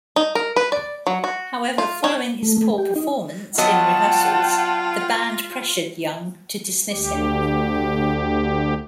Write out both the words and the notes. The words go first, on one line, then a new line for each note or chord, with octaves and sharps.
However, following his poor performance in rehearsals, the band pressured Young to dismiss him.
D#4
A#4
B4
D5
F#3
F#4
F4
C#4
A3
A3
G4
D#4
F#3 B3 F4 D#5 F#5 G5 A5
D2 G4